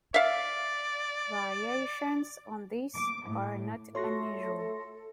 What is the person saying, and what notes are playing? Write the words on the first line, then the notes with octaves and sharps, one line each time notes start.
Variations on this are not unusual.
D5 E5 F5
D6
A2
A3 F4 F#4 A4 C#5 C6 A#6